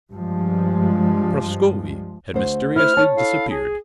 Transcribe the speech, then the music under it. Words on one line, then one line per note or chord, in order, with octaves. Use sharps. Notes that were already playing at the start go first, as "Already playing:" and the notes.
Prascovie had mysteriously disappeared!
G2 F3 G#3
D2 C5
E4 C5 F6
C#5 A5
E4 A4 F5
G#4